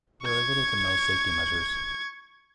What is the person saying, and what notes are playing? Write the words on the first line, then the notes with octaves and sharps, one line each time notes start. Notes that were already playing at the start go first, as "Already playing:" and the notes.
There are little to no safety measures.
C#6 G#6